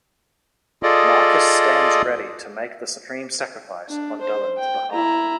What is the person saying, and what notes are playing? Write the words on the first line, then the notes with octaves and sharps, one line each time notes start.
Marcus stands ready to make the supreme sacrifice on Delenn's behalf.
F4 G#4 A4 D5 D#5
D4
C5
G5
E4 A#5